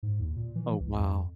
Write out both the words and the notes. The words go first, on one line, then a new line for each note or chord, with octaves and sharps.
Oh wow.
G#2
D#2
A#2
E3
C#2
F2